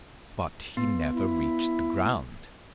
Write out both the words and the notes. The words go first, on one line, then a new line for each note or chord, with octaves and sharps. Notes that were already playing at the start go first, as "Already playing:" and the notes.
But he never reached the ground.
B3
E4